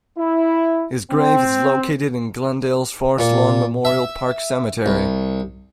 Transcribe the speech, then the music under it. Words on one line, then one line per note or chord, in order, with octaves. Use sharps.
His grave is located in Glendale's Forest Lawn Memorial Park Cemetery.
E4
C4
A#2
E5
C2